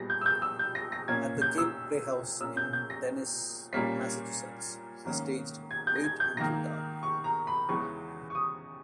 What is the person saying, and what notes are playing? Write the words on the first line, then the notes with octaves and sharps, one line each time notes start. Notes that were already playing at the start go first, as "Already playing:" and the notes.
At the Cape Playhouse in Dennis, Massachusetts, he staged "Wait Until Dark".
Already playing: A#2 G3 B3 A#6
G6
E6
G6
E6
G6
A#6
A#6
A#2 A#3 C#4 G#6
G6
E6
A#2 A#3 C#4 E6
G6
G6
A#6
A#2 G3 A#3 C#4 B6
G#2 D#3 A#3 C#4
G#6
G6
A#6
G#6
G6
G#2 D#3 A#3 A#6
C#6
A#5
B5
E2 C#3 E3 G#3 C#6
C#6
D#6